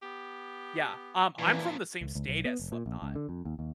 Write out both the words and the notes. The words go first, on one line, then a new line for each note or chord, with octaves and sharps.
Yeah, um, I'm from the same state as Slipknot.
B3 G4
F2 A#2 E3 D4 E4
C#2
C#2
B1
B3
F1
A#2
A#1
C#2
D3
F2
D#2
D#2